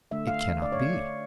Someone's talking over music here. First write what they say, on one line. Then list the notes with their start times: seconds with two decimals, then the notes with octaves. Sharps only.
"It cannot be!"
0.11 D3 A3 D4 E5
0.27 F5
0.62 D5
0.72 C#5